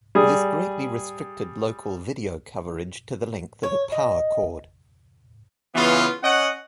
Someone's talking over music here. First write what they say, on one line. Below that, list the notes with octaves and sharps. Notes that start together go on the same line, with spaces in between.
This greatly restricted local video coverage to the length of a power cord.
G3 G#4
C#5
D#5
C#3 E3 B3 F4
C#4 D#5 F#5